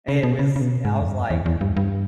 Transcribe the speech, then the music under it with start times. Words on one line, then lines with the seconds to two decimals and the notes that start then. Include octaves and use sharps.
It was I was like,
0.08 C#3
0.23 B2
0.39 C#3
0.56 C#3
0.61 B2
0.85 G#2
1.01 E2
1.07 G2
1.31 E2
1.46 E2
1.61 G2
1.77 G2